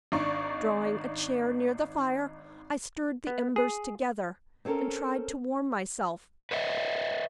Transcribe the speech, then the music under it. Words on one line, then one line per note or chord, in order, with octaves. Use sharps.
Drawing a chair near the fire, I stirred the embers together, and tried to warm myself.
G#1 D4 D#4 D5 C#6
B3
G#4
C4 C#4 G4 A4 A#4
B4 C#5 D#5 E5